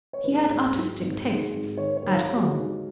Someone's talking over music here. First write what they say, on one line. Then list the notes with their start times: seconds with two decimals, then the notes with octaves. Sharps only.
He had artistic tastes--at home.
0.13 C#5
0.24 G#2 B4
0.50 G#1
0.74 F#3
1.01 G#1
1.26 G#2
1.51 G#1
1.77 D#3 C#5
1.97 C#5
2.03 D#2
2.16 F5
2.29 G#3
2.35 F#4
2.54 D#4